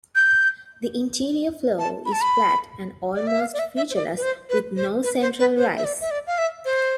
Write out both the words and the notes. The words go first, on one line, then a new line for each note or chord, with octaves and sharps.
The interior floor is flat and almost featureless, with no central rise.
G6
A5
B5
A5
B5
D5
E5
F5
D5
E5
E5
C5
D5
B4
C5
B4
C5
B4
C5
B4
C5
E5
D5
E5
D5
F5
E5
C5